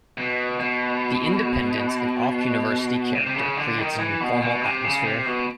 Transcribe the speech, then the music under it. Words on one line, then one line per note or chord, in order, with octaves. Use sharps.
The independence and off-university-character creates an informal atmosphere.
B2
B2
C3
C3
C#3
D3
D#3
E3
B2
B2
C3
C#3
C3
B2